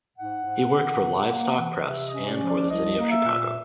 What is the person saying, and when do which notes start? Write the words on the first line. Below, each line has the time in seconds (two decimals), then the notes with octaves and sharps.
He worked for "Livestock Press" and for the city of Chicago.
0.17 G#2 F#5
0.45 G#2
0.73 D#3
1.02 C3
1.30 A#3
1.57 E3
1.85 C3 E5
2.07 D#5
2.13 C#4
2.27 D5
2.42 F3
2.49 D5
2.69 C2 D#5
2.98 A#3
3.12 E5
3.26 A#2